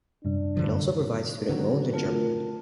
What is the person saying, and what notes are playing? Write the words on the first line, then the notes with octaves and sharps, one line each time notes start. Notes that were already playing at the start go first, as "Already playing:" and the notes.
It also provides student loans in Germany.
F#2 C3 G3 D4
G2 D3 F3
D3 D#3 F#3
A3 F4 A#4